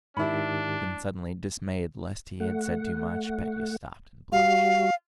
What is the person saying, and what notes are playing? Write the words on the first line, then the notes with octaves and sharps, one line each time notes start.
Then suddenly, dismayed lest he had said too much, Petya stopped and blushed.
G#2 D#3 D4 E4 G4 B5
A3 F#5
G3 F#4 F5